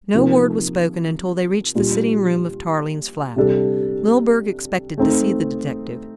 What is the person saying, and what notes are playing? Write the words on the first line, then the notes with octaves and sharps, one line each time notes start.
No word was spoken until they reached the sitting-room of Tarling's flat. Milburgh expected to see the detective.
C3 F3 A#3 D#4 A#4
A#2 G3 D4 F4
C3 G3 D4 A4
A3 C4 D#4 A4